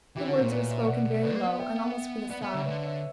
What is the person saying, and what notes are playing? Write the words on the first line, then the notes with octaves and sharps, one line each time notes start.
The words were spoken very low, and almost with a sob.
E3 E4 G4
D3 F#4 A#4
A#2 A#4 C#5
B4 D5
C#5 E5
B2 D5 F#5
B2
C#3 B4 D5
A#3
D5 F#5
B3
E5 G5
B3 D5 F#5
B3
C#5 E5
D3
C#3
B4 D5
D3
C#5 E5